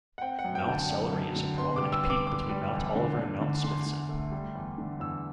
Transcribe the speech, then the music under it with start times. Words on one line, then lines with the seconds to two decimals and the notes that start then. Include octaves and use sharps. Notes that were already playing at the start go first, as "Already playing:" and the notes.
Mount Sellery is a prominent peak between Mount Oliver and Mount Smithson.
0.18 F#5
0.22 C4 G5
0.39 F#5
0.45 F#2
0.55 G5
0.67 D3 G5
0.72 A5
0.90 F#2
1.13 F#2
1.36 D3
1.58 B3 C6
1.76 G3 D6
1.92 E6
2.04 B3
2.10 D6
2.27 B3 D6
2.49 G3
2.73 E2
2.95 D3
3.19 D3
3.41 D3
3.64 D3 C6
3.86 D3
4.09 A3
4.32 G3
4.55 E2
4.78 D3
5.00 E2 E6